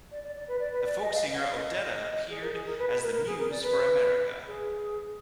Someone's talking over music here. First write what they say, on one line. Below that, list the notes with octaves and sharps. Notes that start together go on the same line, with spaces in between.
The folk singer Odetta appeared as the Muse for America.
D5
D5
D5
B4
D5
B4
D5
D#5
F5
D#5
F#5
F5
D#5
D#5
G#4
A#4
G#4
A#4
B4
B4
A#4
A#4
G#4
A#4
D5
B4
G#4